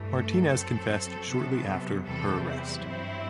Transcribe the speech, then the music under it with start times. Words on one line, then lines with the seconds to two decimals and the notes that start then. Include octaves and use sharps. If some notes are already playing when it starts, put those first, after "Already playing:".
Martinez confessed shortly after her arrest.
Already playing: G2 E3 A3
0.12 A4
0.51 F#2 F#3 C4
1.28 C3 F#3 B3
2.05 E2 C3 E3 G3 C4 A4
2.44 E4
2.83 G2 F#3 C4